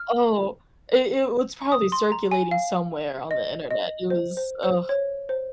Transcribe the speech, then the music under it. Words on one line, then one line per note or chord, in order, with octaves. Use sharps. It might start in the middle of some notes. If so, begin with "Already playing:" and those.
Oh, i it well, it's probably circulating somewhere on the internet, it was, ugh,
Already playing: F6
D#6
C6
C6
A#5
G#5
F5
D#5
D#5
C5
C5
C5
C#5
C5